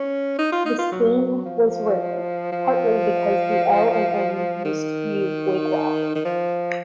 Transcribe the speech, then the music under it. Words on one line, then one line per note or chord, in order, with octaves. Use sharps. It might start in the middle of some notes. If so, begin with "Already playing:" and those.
This scheme was rare, partly because the L and N used few wigwags.
Already playing: C#4
D#4
F4
D#4
F4
F#3
F3
F3
D#3
D#3
F3